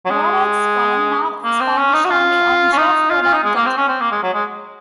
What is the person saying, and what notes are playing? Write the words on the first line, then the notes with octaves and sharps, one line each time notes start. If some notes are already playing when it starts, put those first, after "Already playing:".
Rodack's column now is published only on JeffRodack dot com.
F#3
G#3
A#3
C4
C#4
D#4
F#4
F4
C#4
D#4
F4
F4
D#4
G#3
A#3
C4
C#4
C4
A#3
G#3
F#3
G#3